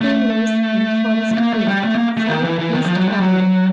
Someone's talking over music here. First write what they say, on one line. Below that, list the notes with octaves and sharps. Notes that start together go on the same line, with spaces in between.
He lives in Forest Hill, south east London.
A3
A3
A#3
A3
G3
A3
A#3
A3
D#3
E3
E3
D#3
F3
F#3
G3
F#3